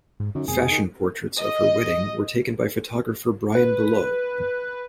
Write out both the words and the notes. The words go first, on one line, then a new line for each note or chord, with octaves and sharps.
Fashion portraits of her wedding were taken by photographer Brian Boulos.
G#2
F#2 D3 D#3
G#1 F2 C3 B3 G#4
D#3
D#5
B4